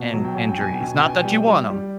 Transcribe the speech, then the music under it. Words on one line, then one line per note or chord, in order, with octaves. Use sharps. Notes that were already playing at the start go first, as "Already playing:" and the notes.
an injuries. Not that you want 'em,
Already playing: B2
F#3
G5
F#3 G#5
G5
B2 G#5
G5
B2 G#5
G5
B2 G#5
G5
G3
G3
G3